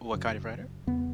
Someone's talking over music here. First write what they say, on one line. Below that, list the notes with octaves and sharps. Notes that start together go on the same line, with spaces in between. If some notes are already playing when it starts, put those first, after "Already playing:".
what kind of writer?
F#2 C#3
E2 C#3 B3